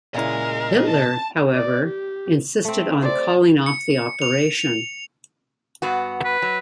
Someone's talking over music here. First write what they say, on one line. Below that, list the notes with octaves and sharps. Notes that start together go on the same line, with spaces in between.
Hitler, however, insisted on calling off the operation.
A#2 C#3 E4 A#4 D#5 G#5
A5
D5
G4
A3 C4
G3 C5 D5
C#7
F7
G2 B3 F#4
B4
F#3